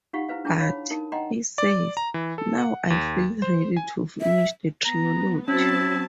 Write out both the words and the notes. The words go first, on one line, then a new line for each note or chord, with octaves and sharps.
"But", he says, "now I feel ready to finish the trilogy".
D#4 F4 G4 F5 F#5 C#6
E4 B4 C5 F5
D4 E4 G#4 G5 A5
C#5 F5 B5
D#4 A#4 A5
D#5 F#5 G5 A#5 C6
D5
A#5
E3
A4
F#5
D#2
C5
G#5
E5
B3 A#5
F#3 C4 C#4 E4 A5